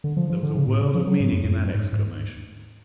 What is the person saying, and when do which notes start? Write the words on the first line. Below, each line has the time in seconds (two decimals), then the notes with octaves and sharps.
There was a world of meaning in that exclamation.
0.04 D3
0.17 F3
0.30 F3
0.43 D3
0.55 C#3
0.68 A2
0.81 C#3
0.94 F3
1.07 F#3
1.20 G#2
1.32 F#2
1.45 F#2
1.58 F#2
1.75 G#2
1.93 G#2